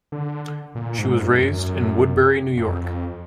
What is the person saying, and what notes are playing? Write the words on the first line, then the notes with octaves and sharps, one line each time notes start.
She was raised in Woodbury, New York.
D3
A#2
G#2
F#2
F#2
F#2
F#2
F2